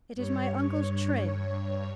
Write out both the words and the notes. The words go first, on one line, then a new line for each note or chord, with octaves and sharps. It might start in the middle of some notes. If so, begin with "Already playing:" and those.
"It is my uncle's trade."
G2 C#5